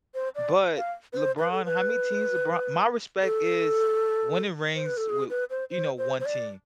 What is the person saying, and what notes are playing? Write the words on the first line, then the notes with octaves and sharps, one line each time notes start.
But LeBron, how many teams LeBron my respect is winning rings with you know, one team.
C5
D5
F5
B4
C5
B4
A4
B4
A4
C5
B4
A4
G#4
B4
C5
C5
C5
C5
D5